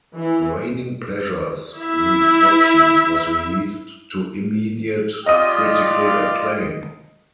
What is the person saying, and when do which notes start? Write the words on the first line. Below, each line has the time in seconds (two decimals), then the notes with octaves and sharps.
Raining Pleasure's "Reflections" was released to immediate critical acclaim.
0.15 E3
1.78 E4 E5
5.26 F4 G4 D5 D#5 D#6 D#7